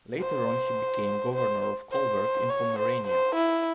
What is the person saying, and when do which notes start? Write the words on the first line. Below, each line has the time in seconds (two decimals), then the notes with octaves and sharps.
Later on he became Governor of Kolberg in Pomerania.
0.20 C5
1.35 C5
1.92 C5
2.50 C#5
2.79 C5
3.07 C5
3.35 E4